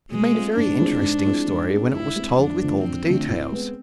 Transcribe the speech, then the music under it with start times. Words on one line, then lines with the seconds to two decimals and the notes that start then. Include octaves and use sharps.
It made a very interesting story when it was told with all the details.
0.11 B2 G#3
0.34 A3 C4 F4
0.56 G#2 D4
0.80 F3 G#3 C4 E4
1.02 G#2
1.25 F3 G#3 C4 E4
1.48 G#2
1.70 G#3 C4 G#4
1.92 G#2 E4
2.16 G#3 C4 G#4
2.38 F2 D4
2.61 D3 F3 A3
2.83 F2 C4
3.06 D3 F3 A3
3.29 A2
3.52 G#3 B3